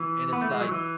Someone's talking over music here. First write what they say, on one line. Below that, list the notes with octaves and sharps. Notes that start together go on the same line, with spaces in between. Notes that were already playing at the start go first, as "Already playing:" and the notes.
And it's like,
Already playing: E3
B3
A3
G#3
F#3
E3